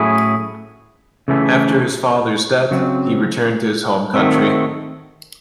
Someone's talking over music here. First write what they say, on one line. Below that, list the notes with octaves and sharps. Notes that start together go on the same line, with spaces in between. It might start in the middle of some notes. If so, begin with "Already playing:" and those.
After his father's death he returned to his home country.
Already playing: A2 F#3 C#4 E4 G#4
C#3 E3 A3 C#4
C#3 F#3 C4
D#3 F#3 A3 C4